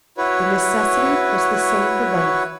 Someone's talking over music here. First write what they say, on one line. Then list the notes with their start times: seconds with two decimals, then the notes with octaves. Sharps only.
The necessity was the same for both.
0.18 E4 F#4 B4 C#5